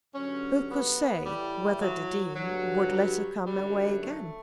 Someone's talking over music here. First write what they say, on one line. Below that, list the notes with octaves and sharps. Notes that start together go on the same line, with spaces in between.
Who could say whether the Dean would let her come away again?
G2 D3 F#3 C#4
B3
A2 E3 G3
F#3
G2 D3 F#3
G3
F#2 D3 F#3 G3
A3